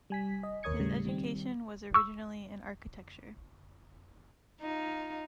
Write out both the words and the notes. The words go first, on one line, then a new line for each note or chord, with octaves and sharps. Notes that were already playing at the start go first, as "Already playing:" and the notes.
His education was originally in architecture.
G3 G#5 B6
D#5
D#2 A#4 C#5 D#6 G#6 C#7
A2 C#3 G3 A3
D#3 G3 C4
C#6 E6
D#4 F4